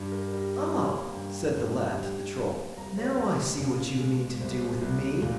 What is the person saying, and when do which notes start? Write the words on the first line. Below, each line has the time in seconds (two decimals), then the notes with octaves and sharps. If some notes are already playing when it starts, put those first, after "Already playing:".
'Oh!' said the lad to the Troll, 'now I see what you mean to do with me.
Already playing: G2
0.12 A#4
0.32 G3
0.73 A#3
1.14 G2 G5
1.55 G2
1.96 G3
2.36 A#3
2.77 C2 A#5
2.97 C#5
3.18 C2 D#5
3.58 A#2 G#4
4.00 G#3
4.40 C2 C5
4.81 C2
5.22 A#2